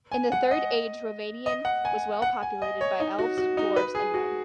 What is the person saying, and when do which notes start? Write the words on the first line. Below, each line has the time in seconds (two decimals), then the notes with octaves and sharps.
In the Third Age Rhovanion was well-populated by Elves, Dwarves, and Men.
0.12 G#5
0.32 F#5
0.51 D#5
1.46 D#5
1.65 F#5
1.85 G#5
2.22 F#5
2.43 G#5
2.62 D#5
2.81 C#5
3.00 D#4
3.19 F#4
3.38 F#4
3.57 D#4
3.76 B4
3.95 G#4
4.14 F#4